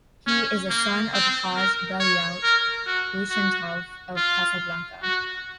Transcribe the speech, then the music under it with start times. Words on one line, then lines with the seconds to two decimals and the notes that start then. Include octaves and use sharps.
He is a son of Hajj Belyout Bouchentouf, of Casablanca.
0.27 C#4
0.70 A#3
1.14 C4
1.57 A#4
2.00 C#5
2.43 A#4
2.86 F#4
3.30 F#4
4.16 F4
5.03 F#4